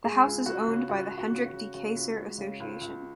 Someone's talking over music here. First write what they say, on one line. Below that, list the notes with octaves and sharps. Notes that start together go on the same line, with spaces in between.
The house is owned by the Hendrick de Keyser Association.
G#3 G#4
C#2
C#2 F#4
C#3
C#2 F#4
C#2
F#4
C#3
F#4
C#3
C#3 F#4
C#2
G#3
C#3
C#2
C#2